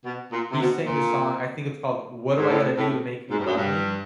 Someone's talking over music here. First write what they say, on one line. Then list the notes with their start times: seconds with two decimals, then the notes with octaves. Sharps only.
he sang the song I think it's called, "What Do I Gotta Do To Make You Love Me?"
0.06 B2
0.32 A#2
0.51 C3
0.60 B2
0.86 A#2
2.39 G#2
2.50 A2
2.77 A2
3.31 G#2
3.39 G2
3.46 F#2
3.55 G2